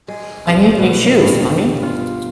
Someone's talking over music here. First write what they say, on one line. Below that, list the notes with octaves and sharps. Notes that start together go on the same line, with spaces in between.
I need new shoes, mommy!
G#3
C3
B2
G2
F4